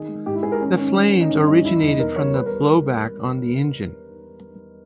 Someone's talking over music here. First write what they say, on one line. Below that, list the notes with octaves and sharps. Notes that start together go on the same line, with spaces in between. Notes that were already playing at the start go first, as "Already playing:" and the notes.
The flames originated from the blowback on the engine.
Already playing: D#3 G#4
G#3
G#2 G4
E4
G#2 G#4
A#4
D#3 C#4
D#3 C#4
E3
A#3
D#4
G2 C#4
G3 D#4
D#2 E4
D#4
E1
D#4
B3 A#4
G3 C#5
G3 B4
A#4